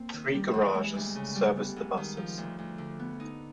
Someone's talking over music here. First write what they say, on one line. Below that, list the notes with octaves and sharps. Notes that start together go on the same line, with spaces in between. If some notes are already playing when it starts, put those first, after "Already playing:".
Three garages service the buses.
Already playing: A#3 C4
D#3
G3
E3
G#3
D2
C#3
G3
B3
G#2
D#3
F3
D2
D2
D3
B3
D#4